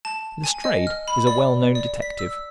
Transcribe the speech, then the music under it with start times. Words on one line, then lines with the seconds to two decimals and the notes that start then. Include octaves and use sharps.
Lestrade is a well-known detective.
0.05 A5
0.44 G#5
0.64 D#5
0.87 F6
1.08 B5
1.27 D5
1.75 D5
2.02 B6
2.19 E6